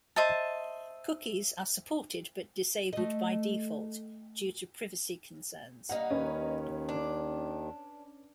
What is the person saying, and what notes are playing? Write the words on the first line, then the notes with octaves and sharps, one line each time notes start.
Cookies are supported but disabled by default due to privacy concerns.
C5 D#5 E5 A5
A3 D#5
G2 A#3 D#4 F#5
D#2 D#3 C#4 B4
D4